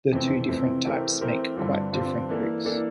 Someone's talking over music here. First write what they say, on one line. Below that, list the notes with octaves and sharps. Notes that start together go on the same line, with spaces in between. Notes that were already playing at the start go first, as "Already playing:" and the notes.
The two different types make quite different bricks.
F2 C3 E3 A3 C4
F2 C3 E3 A3 C4
E3 A3 C4 G4 A#4
E3 A3 C4 G4 A#4
G2 D3 G3 C4 F4
G2 D3 G3 C4 F4
E3 A#3 D4 A4
E3 A#3 D4 A4